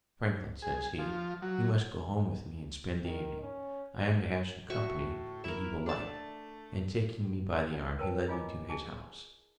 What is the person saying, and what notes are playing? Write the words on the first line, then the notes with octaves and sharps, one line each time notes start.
"Franklin," says he, "you must go home with me and spend the evening; I am to have some company that you will like;" and, taking me by the arm, he led me to his house.
G#4
F3
F#3
D#3
C#4
A2 F#4 E5 C#6
E4 A#4 E5
A3 D4 A5
A#4 B4 C#5 G5 A5
E4 F4 D#5 G#5 D6
G#4 G#5 A5